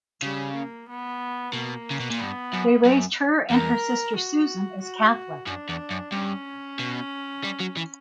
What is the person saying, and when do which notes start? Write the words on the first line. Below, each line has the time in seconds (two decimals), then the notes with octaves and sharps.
They raised her and her sister Susan as Catholic.
0.22 C#3 G3
0.55 A#3
0.89 B3
1.54 B2 A#3
1.91 C#3
2.00 B2
2.10 A#2
2.19 G2 B3
2.53 F#2
2.84 F#2
3.50 E2 A#4
4.17 F#4
4.82 F#4
5.47 F#2 D4
5.69 E2
5.91 F#2
6.12 G2 C#4
6.79 B2
7.44 G3
7.60 F#3
7.76 E3